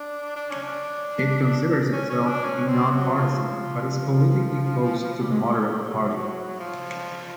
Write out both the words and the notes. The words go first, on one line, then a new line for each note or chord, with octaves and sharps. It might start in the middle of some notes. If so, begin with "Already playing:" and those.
It considers itself to be non-partisan, but is politically close to the Moderate Party.
Already playing: D4
D4
C#4
D4
C#4
C#4
D4
C#4
C4
F#3
F3
G3
G#3
G3
F#3
F3